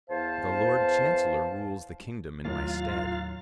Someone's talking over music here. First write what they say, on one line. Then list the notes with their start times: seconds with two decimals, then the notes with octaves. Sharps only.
The Lord Chancellor rules the kingdom in my stead.
0.10 E2 C5 F5 A5
2.45 D#2 A2 F#3 F4 F5